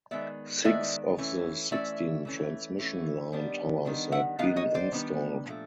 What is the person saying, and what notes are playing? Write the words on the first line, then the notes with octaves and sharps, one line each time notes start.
Six of the sixteen transmission line towers had been installed.
D#3 G#3 B3 D5 E5
D#3 G#3 B3 D5 E5
E3 A3 C#4
E3 A3 C#4 D5 E5
E3 A3 C#4
E3 A3 C#4
D#3 G3 B3 D4
D#3 G3 B3 D4
E5 F#5
D#3 G3 B3 D4 D#5 F5
C#5 D#5
C5 D5
D#3 G3 B3 D4
A#2 F3 A3